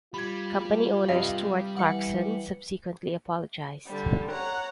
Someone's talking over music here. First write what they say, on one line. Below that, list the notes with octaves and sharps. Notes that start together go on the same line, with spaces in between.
Company owner Stuart Clarkson subsequently apologised.
G3 F4 B5 G#6
G2 C3 D#5 F5
E3 F#5 C#7
D3 G3
C#5 F#5 A#5